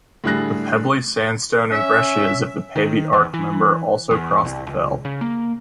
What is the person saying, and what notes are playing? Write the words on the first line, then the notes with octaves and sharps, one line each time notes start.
The pebbly sandstone and breccias of the Pavey Ark Member also cross the fell.
A2 D3 G3 G#4 F#6 A#6
C#4 E5
D#3
E2
E3
E2
C2
C#2
C#3
A#3